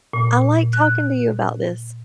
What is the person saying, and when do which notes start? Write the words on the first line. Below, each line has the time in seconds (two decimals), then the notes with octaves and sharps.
I like talking to you about this.
0.13 A#2
0.73 F#6